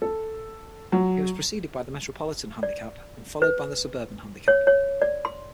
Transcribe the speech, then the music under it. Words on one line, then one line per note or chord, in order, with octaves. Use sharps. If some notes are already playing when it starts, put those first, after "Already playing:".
It was preceded by the Metropolitan Handicap and followed by the Suburban Handicap.
A4
F#3
D5
B4
C#5
C#5
D5
C6